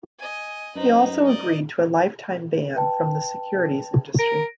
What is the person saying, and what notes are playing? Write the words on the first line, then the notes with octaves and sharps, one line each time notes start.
He also agreed to a lifetime ban from the securities industry.
D#5 G#5
F#2 D#4 B4 C5
D5 D#5
B4 G5 A5
A#4 A#6 D7